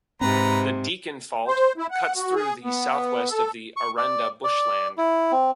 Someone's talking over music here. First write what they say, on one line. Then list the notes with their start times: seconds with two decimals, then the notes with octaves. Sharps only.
The Deakin Fault cuts through the south west of the Aranda Bushland.
0.21 G#2 C3 C4 B4 A#5
1.48 C5
1.78 E4
1.91 F#5
2.16 F#4
2.35 G#4
2.64 B3
3.30 A4
3.76 C#6
3.97 D5
4.44 D5
4.98 E4
5.32 C4